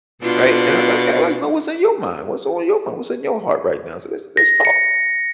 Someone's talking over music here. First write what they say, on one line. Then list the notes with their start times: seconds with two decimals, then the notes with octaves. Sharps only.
Right, and I'm like, "Okay, I’d like to know what's on your mind what's on your m what's in your heart right now? So let's let's talk."
0.22 B2 D4 F4
4.37 A#6
4.65 C#7